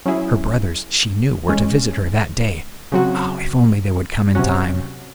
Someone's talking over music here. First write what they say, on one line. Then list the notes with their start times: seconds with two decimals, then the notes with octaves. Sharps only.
Her brothers, she knew, were to visit her that day--if only they would come in time!
0.06 F#3 C#4 E4 G#4
1.48 E3 G#3 C#4
2.92 C#3 F#3 C4 F#4
4.35 C3 F#3 C#4 F#4